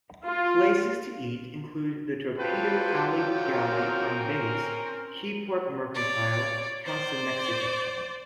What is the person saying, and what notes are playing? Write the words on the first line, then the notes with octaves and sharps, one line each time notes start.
Places to eat include the Torpedo Alley Galley on base, Keyport Mercantile, Casa Mexico.
F4
F#3 F4 A4 B4 C5 G5
C4 C#4 A#4
C#5 D5
C5 D5